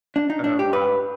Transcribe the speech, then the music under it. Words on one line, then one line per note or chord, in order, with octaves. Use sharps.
Oh, wow.
D4
D#4
D4
G4
B4